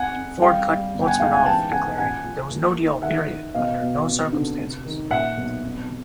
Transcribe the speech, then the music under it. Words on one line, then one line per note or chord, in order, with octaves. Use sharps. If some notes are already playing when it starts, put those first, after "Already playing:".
Ford cut Holtzman off, declaring, There was no deal, period, under no circumstances.
Already playing: F2 F#5 G#5
F2
G3 F5 G5
G3
G1
G5
F#5 G#5
G#3 F5 G5
F#5 G#5
E3 G5 A5
C#3 F#5 G#5
A1 F#5 G#5
F3
D#2
D#3
D#3 E5 F#5
D#3
B2 D#5 F5
B2
F2
D3
F1
D#3
A#2 E5 F#5
B1
F2